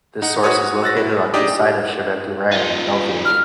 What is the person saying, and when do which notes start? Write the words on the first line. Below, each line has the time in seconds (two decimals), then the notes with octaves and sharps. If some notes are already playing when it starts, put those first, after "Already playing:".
This source is located on east side of Chemin du Rang Bellevue.
0.22 D#4 F#5
0.43 F#4 B4 C#5 D#6
0.83 E6 F#6 A6 A#6
0.97 E4
1.34 D4 D#4 G4 G#4 D5 D#5
2.52 D#4 F4
3.25 F6